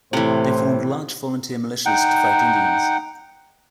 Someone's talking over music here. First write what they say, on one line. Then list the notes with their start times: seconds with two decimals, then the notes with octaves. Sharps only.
They formed large volunteer militias to fight Indians.
0.13 A2 C3 E3 C5
1.85 D#4 F#5 G5